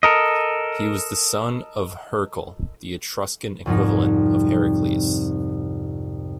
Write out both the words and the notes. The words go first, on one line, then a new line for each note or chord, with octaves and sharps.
He was the son of Hercle, the Etruscan equivalent of Heracles.
A4 A#4 D#5
C2 F2 G#2 D#4